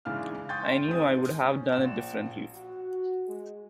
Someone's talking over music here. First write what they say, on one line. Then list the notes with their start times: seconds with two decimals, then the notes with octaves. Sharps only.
I knew I would have done it differently.
0.05 G#2 C#3 E3 D4 F5 F6
0.49 G5 C6 C#6 D#6 G6 A6
0.88 G#2 G#3 C4 D#6
1.44 C#4
1.72 A#1 E7
2.54 F#4
3.26 G#3